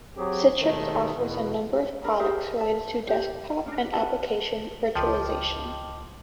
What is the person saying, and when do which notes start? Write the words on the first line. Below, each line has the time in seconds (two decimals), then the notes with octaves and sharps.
Citrix offers a number of products related to desktop and application virtualization.
0.17 F#3 C4 G4 G#4
0.61 D#2 B2 D#3 G#3 A3
1.15 E2 B2
2.04 D4 A#4 B5
2.19 G4 G#4 A#4 E5
2.58 E5 A5
3.08 G4
3.66 C#4 D4
3.93 C#4 B4 F#5 A5
4.95 C#2 F3 D#5 G5 A5 D6 F6